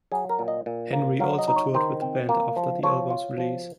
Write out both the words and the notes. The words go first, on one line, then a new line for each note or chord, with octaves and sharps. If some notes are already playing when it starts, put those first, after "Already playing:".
Henry also toured with the band after the album's release.
F#3 G#4
A#4
A#2
D#5
A#2
A#3
F#3 F5
D#5
D#4
C#5
D#3 C5
C4
A#3
F3
F3 C#5
F4
F3